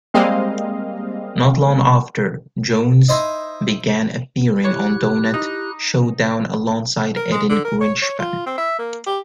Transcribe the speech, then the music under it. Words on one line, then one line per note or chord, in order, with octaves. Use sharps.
Not long after, Jones began appearing on Donut Showdown alongside Edin Grinshpan.
G3 G#3 A#3 C4 D#5 F5
D#4 E4 C5 D#5
E4 G4 C#5 F#6
D#4
A#4
G#3
D3
A#4
C#5
C#5
F4
C4
E5
A#3
G4